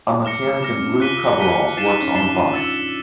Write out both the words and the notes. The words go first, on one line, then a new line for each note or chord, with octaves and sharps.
A mechanic in blue coveralls works on a bus.
A#3 D6 F6 A#6 C#7
A3
B3 D6 F6 A#6 C#7
C4
C#4
E4
F4 F#6 B6 D#7 G7
F#6 B6 D#7 G7
E4 A6 C7 E7 G7
D#4
C#4
D4 A6 C7 E7 G7
F4
E6 A6 C#7